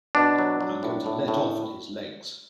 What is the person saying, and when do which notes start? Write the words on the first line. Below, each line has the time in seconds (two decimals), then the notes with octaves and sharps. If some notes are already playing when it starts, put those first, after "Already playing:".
I'm going to let off at his legs.
0.15 B2 D4
0.39 F#3
0.61 F#3
0.83 A2
1.06 A2
1.28 A2